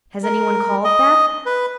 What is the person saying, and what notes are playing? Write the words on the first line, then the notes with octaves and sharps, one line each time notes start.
Has anyone called, Beth?
A#4
D#5
B4